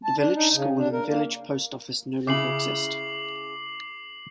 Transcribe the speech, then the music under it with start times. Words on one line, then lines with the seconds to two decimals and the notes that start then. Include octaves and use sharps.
The village school and village post office no longer exist.
0.04 A5
0.16 D4
0.35 D#4
0.53 C#3
0.77 D4
0.93 A#4
1.08 A#3
2.27 C#3 E4 G#4 D6 C7 F#7